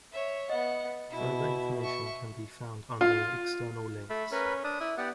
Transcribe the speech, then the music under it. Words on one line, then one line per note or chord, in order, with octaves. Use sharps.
Further information can be found under external links.
C#5 E5
B3 D#5 F#5
B2 E4
E5 C#6
F4
A3 B5
C#4 A#4 B4 B5
D4 D#6
E4
B3 G4 D5 F#5